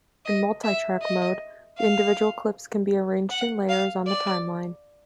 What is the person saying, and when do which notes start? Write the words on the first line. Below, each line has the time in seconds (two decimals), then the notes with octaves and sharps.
In multitrack mode, the individual clips can be arranged in layers on the timeline.
0.26 D#5
0.64 E5
1.01 D#5
1.78 F5
3.31 F#5
3.69 F5
4.07 D5